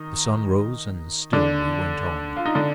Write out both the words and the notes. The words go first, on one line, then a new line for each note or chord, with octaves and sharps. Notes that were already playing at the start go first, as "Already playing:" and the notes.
The sun rose and still we went on.
Already playing: D#3 D#4
D3 D4
F4
D#4
D3 D4